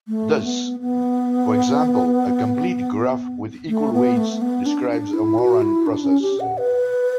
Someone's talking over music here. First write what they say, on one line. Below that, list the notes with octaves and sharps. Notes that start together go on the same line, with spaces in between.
Thus, for example, a complete graph with equal weights describes a Moran process.
A3
B3
B3
A3
B3
A3
B3
D4
D4
E4
F#4
E4
D4
C#4
G4
F#5
B4